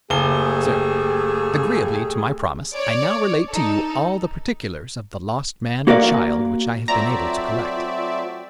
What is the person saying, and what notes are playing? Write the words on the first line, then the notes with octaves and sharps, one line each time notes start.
Sir--Agreeably to my promise, I now relate to you all the particulars of the lost man and child which I have been able to collect.
F#1 A3 G4 G#4 G7
C#5 D5
D#4 A4
A#3 F#4 A#4 D5 F5
F#3 A3 C4 F4 D5 E5 A#5